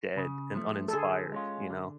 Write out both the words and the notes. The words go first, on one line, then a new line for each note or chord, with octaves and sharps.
dead and uninspired, you know?
C#3
F3 A3
A4
D3 G#4
G#3 C#4 F4
D3